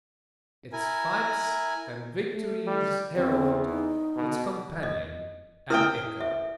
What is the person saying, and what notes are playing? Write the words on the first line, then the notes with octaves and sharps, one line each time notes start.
Its fights' and victories' herald, its companion and echo.
E4 A#4 G#5
A3
G3
E2 C4
D#4
B2
D#5
E4 A#4 G5 D#6 F6
E5